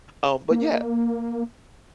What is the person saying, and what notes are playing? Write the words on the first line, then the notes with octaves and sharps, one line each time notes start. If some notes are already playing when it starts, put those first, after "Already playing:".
Um, but, yeah,
A#3